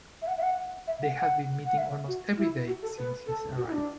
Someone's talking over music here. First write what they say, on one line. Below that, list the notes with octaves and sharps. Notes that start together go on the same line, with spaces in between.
They had been meeting almost every day since his arrival.
E5
F#5
E5
F#5
E5
F#5
F#5
F#5
E5
F#4
E4
F#4
A4
B4
A4
F#4
E4
D4